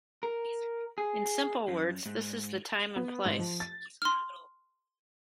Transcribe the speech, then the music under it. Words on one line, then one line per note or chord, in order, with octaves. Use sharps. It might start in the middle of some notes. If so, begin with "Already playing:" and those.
In simple words this is the time and place.
A#4
G#4
F#2
G#2
B3
G#2
F3
A6
C6 F6